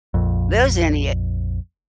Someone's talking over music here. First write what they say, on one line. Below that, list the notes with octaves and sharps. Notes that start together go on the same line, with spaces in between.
there's any o
A#1 F2